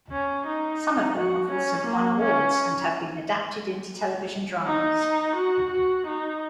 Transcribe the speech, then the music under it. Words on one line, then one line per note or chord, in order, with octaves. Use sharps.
Some of her novels have won awards and have been adapted into television dramas.
C#4
D#4
F#4
C#4
A#3
C#4
D#4
F#4
F#4
D#4